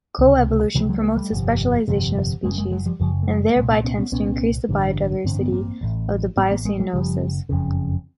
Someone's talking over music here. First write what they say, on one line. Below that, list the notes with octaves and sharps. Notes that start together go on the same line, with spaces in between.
Coevolution promotes the specialization of species and thereby tends to increase the biodiversity of the Biocenoses.
C#2 C3
C#2 C3 F3 G3
F#3 G#3
G#3 A#3
G3 A3
G1 F2 C3
G1 F2 C3
F#1 F#2 C#3 G#3 A#3
G#3 A#3
F#3 G#3
F3 G3
F#1 F#2 C#3 F3 G3
A3
F#3 G#3
A3
C2 A#2 G#3 A#3
A#3 C4
B3 C#4
B3 C#4
C2 A#2 B3 C#4
A1 G2 D3
A1 G2 D3 C4
B3
A#3 C4
A1 A2
A1 A2 A#3 C4
A#3 C4
G#3 A#3
G3 A3
F#1 F2 C#3 F3 G3
F#1 F2 C#3